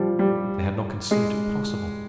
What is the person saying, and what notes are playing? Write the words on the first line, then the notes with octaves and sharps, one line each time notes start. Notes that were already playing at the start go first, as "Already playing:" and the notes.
They had not conceived it possible.
Already playing: F3 G3
G3
G#3